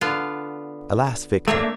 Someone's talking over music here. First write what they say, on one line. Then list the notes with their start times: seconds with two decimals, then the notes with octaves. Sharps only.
Alas, Victor!
0.01 D3 B3 F4
1.48 A3 A#3 D4 C#5 E5